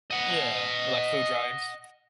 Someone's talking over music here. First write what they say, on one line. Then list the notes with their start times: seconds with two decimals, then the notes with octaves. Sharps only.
Yeah, like food drives.
0.11 D#5 F#5